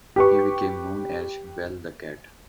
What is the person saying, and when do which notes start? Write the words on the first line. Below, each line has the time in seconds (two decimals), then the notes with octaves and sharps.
He became known as "Bell the Cat".
0.16 G4 B4 C#6